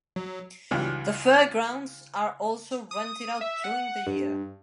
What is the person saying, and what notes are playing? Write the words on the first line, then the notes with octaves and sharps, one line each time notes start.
The fairgrounds are also rented out during the year.
F#3
C#2 G2 E3 F#3
D#6
E5
F#5
G2